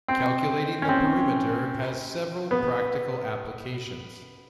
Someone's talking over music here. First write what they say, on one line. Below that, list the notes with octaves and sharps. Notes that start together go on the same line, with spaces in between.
Calculating the perimeter has several practical applications.
C4
C#4
C4
B3